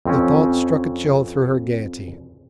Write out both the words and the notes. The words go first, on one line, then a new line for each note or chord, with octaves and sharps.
The thought struck a chill through her gaiety.
F2 C4 C#4